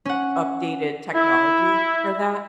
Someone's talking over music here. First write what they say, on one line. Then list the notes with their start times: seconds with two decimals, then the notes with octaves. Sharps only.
updated technology for that.
0.05 C#4 F#5
1.15 E4